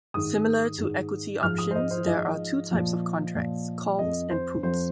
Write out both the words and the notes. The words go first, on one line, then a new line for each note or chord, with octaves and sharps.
Similar to equity options, there are two types of contracts: calls and puts.
G#2 D#3 D#6
G#2 D#3
G#2 F3 F6
D#6
C5
D#5
C5
G#2 F3 D#5
A#2 F3
A#2 F3
F2 F3 D#5
C5
F2 F3 C5